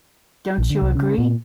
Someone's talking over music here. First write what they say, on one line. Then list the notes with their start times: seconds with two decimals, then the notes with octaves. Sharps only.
Don't you agree?
0.58 A#1
0.70 D3
0.82 C2
0.95 C#3
1.18 A#2